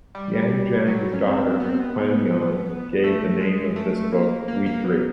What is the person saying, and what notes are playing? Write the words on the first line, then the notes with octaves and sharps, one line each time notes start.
Yang Jiang's daughter Qian Yuan gave the name of this book "We Three".
G3
F#3
C#4
C4
B3
C4
B3
A3
G#3
A3
A#3
A#3
A#3
B3